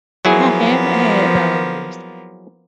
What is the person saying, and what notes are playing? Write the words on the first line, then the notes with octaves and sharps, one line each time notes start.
I haven't had those.
F3 F#3 A#3 B3 E4 G#4